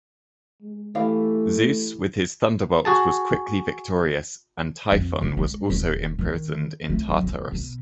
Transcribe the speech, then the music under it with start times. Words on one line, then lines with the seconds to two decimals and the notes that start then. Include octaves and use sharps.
Zeus with his thunderbolts was quickly victorious, and Typhon was also imprisoned in Tartarus.
0.62 G#3
0.95 E3 A3 G4 F5
2.85 F#4 G#4 A5
4.92 F2
5.22 C#3
5.37 G#3
5.70 D#1
6.19 D#3
6.90 A3
7.09 F#3
7.23 E1
7.52 B2